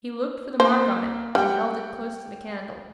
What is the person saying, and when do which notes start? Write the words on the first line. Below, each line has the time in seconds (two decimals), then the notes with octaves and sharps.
He looked for the mark on it, and held it close to the candle.
0.60 A#3 C5
1.35 G3 F#5 G5